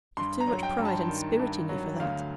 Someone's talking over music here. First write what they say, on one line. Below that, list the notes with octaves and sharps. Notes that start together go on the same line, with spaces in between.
You've too much pride and spirit in you for that.
G2 C6
A#5
F#3
G5
G2
A5
D#3
G2
F#3
D2 F5